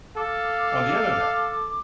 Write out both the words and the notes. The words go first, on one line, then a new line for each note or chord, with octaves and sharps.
on the Internet."
A4 F5 D6